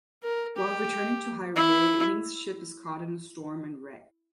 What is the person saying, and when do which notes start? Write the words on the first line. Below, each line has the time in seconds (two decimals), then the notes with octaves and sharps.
While returning to Hyrule, Link's ship is caught in a storm and wrecked.
0.23 A#4
0.57 G4
1.56 E4